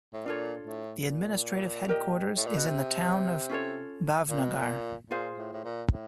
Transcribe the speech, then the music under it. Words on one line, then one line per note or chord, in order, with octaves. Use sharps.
The administrative headquarters is in the town of Bhavnagar.
A2
A#2 D4 F4 A4 C#5
A2
A#2
G4 A#4 D#5 G5
A2
A#2
B2
C3
C#4 F4 A4 C#5
A#2
B2
A#2
A#2 F4 G#4 C5 F5
A2
A2
A#2
A2